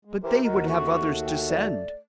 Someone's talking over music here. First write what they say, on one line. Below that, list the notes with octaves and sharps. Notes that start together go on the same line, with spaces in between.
But they would have others to send.
G#3
E3 G4 A#4 C5
D#2 F#4 A#4 D#5
A3 C#6
G5
D5